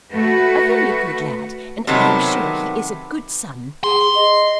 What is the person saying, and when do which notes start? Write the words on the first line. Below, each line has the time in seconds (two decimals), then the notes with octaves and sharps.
'A very good lad, and I am sure he is a good son.'
0.12 A3 F#4 B4
1.87 C3 D#3 F#3 A3 B3
3.84 G#4 C6
4.15 D#5